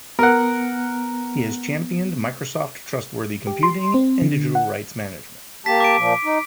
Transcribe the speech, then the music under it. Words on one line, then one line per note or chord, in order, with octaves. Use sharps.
He has championed Microsoft Trustworthy Computing and digital rights management.
B3 A#4 F#5
G4
C6
C4
D3
F#5
A#3 G4 A5 B6
D6 D7
A#2 F3
D#4